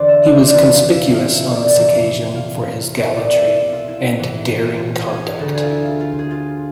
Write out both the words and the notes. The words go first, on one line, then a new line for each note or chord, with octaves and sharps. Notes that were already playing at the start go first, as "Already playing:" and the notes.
He was conspicuous on this occasion for his gallantry, and daring conduct.
Already playing: E2 D3 C5 D5
E5
E5
C5
D5
F2 C3 E3 B4
F5
E5
F5
E5
D5
F2 C3 E3 E5
F5
C2 B2 E5
D5
E5
E5
F4
E4
E4
G#2 E3
F4
G#4
D2 D3 A4
G#4
F4
E4
F4
F4
G#4
F4